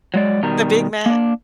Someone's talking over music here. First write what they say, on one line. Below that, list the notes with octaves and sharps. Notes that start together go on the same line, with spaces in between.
The Big Mac?
F#3 G#3 D5
B2 D#3 G3 A#5
A#3 D4